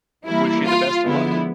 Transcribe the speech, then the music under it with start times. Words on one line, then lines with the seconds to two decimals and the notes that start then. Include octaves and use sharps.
wish you the best of luck.
0.26 E3 G3 A#3 E4
0.66 F4
1.05 D3 F3 G#3 B3 E4